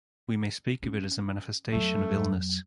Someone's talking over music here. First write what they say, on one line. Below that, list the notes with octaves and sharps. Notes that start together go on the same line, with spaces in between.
We may speak of it as a manifestation of illness.
C#4
F2 F#3 A3